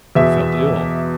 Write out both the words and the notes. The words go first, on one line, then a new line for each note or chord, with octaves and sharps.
He felt ill.
E2 B2 E5